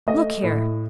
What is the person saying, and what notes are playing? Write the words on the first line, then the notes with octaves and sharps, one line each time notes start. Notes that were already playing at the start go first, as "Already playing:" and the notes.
"Look here!"
A3 D#5
A2